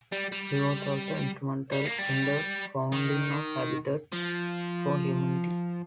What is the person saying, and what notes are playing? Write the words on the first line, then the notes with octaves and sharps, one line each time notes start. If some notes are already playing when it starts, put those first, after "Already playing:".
He was also instrumental in the founding of Habitat for Humanity.
G3
G3
G3
A#3
G3
D#3
F3